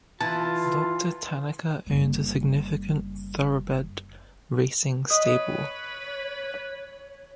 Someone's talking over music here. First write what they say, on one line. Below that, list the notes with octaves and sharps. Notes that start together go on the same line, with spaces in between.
Doctor Tanaka owns a significant thoroughbred racing stable.
E3 F4 A5
F#1 G3
B4 C#5 D#5 D#6